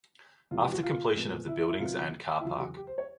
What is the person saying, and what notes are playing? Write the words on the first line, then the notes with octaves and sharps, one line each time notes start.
After completion of the buildings and car park.
F2 C3 E3 G#3 F4
G4
F#4
F4
A#2 F3 G#3 B3
E4
E4
E4
C3 D#3 F#3 B3 F4
E4
E2 C#3 F#3 F4
F#4
G4
C5
C#5